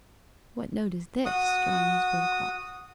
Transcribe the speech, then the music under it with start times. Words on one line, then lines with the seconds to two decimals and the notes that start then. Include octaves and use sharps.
"What note is this?" drawing his bow across.
1.25 F#4 D#6